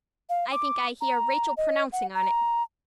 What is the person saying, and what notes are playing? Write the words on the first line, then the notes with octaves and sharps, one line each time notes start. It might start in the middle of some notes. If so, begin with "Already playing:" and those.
I think I hear Rachel pronouncing on it.
F5
D6
A#5
D#5
F#5
A#5